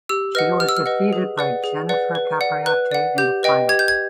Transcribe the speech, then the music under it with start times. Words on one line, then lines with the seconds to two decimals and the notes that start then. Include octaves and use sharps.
She was defeated by Jennifer Capriati in the final.
0.09 G4 E6
0.35 B4 D#5 F#5 F6
0.60 G4 F6
0.69 E6
0.77 F6
0.86 B4 D#5 F#5
1.13 G#4
1.38 B4 D5 F#5
1.64 G#4
1.89 B4 D5 F#5
2.15 B4
2.41 D5 F#5
2.66 B4 F#6
2.91 D5 F#5
3.18 G4 G6
3.43 B4 D#5 G5
3.69 G4 G#6
3.79 G6
3.88 G#6